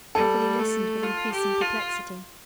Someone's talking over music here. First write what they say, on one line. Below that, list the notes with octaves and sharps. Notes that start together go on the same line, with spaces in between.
Beverly listened with increasing perplexity.
G3 A4
A3
F4
G4
F4